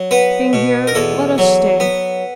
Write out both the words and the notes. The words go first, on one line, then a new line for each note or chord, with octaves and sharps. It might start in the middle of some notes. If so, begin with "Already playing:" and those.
'Being here, let us stay.
Already playing: F#3
B3 B4
B2
A#4
E2 A4
F#3
B3